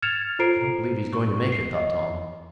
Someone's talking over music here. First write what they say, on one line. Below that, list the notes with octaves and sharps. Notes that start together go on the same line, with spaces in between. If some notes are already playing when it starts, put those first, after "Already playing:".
"I don't believe he's going to make it," thought Tom.
F6 G#6 A6 C#7 E7 F7
F4 A4 C5 A#5 C7 D7
C#6
C7
D#5